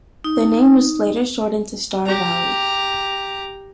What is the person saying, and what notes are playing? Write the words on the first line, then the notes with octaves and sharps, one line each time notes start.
The name was later shortened to Star Valley.
D#4
G4 A#5